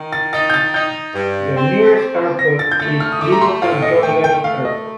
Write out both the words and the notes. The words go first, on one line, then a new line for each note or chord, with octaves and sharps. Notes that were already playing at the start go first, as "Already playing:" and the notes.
The nearest airport is Liverpool John Lennon Airport.
Already playing: D#3
A6
D#4 A6
G6
A6
D#4 G6
G2
C4
C4
D3 A#6
A6
G6
A3 A6
F6
D#6
A3 D6
A#5
C6
A2 F5
D#5
A3 G5
G5
A3 F5
D#5